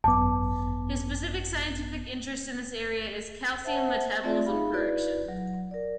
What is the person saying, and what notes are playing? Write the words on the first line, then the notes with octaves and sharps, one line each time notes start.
His specific scientific interest in this area is calcium metabolism correction.
G#1 F#2 B3 A5 D6
C5 E5 F#5 A5
A3 C4 F4 D5 E5
D#4 G#4 F5 B5
E4 F#4 B4 D5
F#3
A#4 D5